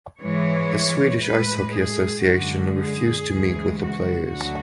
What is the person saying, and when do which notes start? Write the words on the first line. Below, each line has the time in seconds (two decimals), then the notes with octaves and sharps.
The Swedish Ice Hockey Association refused to meet with the players.
0.20 G#2 E3 G#3 C#5
1.22 A2 G#3 B4
1.74 G#4
2.24 F#2 D3 G#3 F#4
2.76 G#4
3.27 D2 C#3 E3 G#3
3.78 F#4
4.29 D2 D3 F#3 F#4